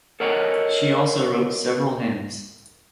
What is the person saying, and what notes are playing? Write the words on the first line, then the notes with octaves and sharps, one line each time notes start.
She also wrote several hymns.
A4 A#4 C#5 D#5 F#5 A#5